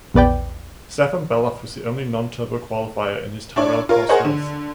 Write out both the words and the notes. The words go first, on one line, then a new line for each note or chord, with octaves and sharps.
Stefan Bellof was the only non-turbo qualifier in his Tyrrell-Cosworth.
A#1 E2 B4 D5 G5
D4 E4 C#5 D5
F4 A#4 C#5
G#4 A#4 C5 C#5 D#5 F#5
D3